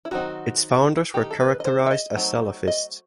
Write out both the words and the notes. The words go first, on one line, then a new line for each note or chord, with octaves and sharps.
Its founders were characterised as salafists.
E4
D#3 F#3 C4 D#4 F#4
D#3 A3 D#4 G4
A4
B4
D#5
C5
E5
D#5
F#3 A3 C4 D#4
D#5